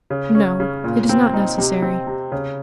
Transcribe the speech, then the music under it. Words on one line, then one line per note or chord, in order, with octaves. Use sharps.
"No; it is not necessary."
C#3
C#4
C#3
A#2
C4
D#4
C3
C4
C3
C#3